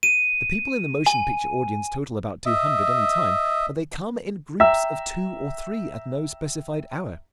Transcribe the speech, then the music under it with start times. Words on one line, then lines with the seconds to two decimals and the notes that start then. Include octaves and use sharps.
The people in the motion picture audience total about two hundred, any time, but they come in groups of two or three at no specified hour.
0.03 D#7
1.07 G#5
2.46 D#5 E5
4.60 E5 G5 A#5 E6